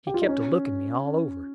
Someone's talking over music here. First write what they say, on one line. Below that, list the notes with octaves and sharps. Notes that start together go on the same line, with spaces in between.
He kept a-looking me all over.
G4
F4
D#4
C#4